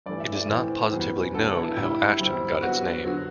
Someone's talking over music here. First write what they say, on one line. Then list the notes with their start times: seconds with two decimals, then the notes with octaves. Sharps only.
It is not positively known how Ashton got its name.
0.06 G2 E3 A3 D5
0.20 E5
0.35 D5
0.49 A2 E3 A3 C4 C5
0.92 E2 B2 G3 B3
1.34 D3 F#3 B3 A4
1.55 E4
1.77 A2 G3 D4 E4
2.19 G2 D3 G3 C4
2.62 G2 F#3 B3 F#4
3.05 D3 F#3